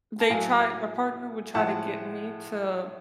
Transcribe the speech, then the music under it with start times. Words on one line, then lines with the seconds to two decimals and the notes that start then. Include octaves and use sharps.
they tried my partner would try to get me to,
0.20 A5
0.30 A2 F#3 F5 G#5
1.55 A2 F3 G#3 F#5 A5